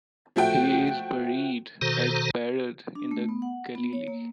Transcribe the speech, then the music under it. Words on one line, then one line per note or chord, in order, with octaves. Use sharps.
He is buried at Parod in the Galilee.
F3 A3 F#4 G5
B2 D#3 F#4 A4 C5 A#5
D4
A3
B3
F#5
B3
C#5
A#3